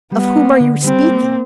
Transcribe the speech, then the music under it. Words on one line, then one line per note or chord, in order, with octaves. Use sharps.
Of whom are you speaking?
G3 B3
A#3
D3
G3 C4
A#3